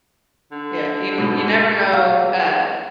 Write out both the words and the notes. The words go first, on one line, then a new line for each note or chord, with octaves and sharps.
Yeah, you n you never know, uh,
D3
G#2 B2
E2 F5